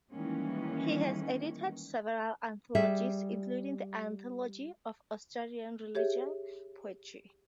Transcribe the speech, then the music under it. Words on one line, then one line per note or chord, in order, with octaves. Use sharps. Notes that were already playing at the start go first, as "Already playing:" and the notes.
He has edited several anthologies, including the "Anthology of Australian Religious Poetry".
D#3 E3 G3 G#3 A#3 C#4
G3 G#4 E5
G4 G#4 C#5 E5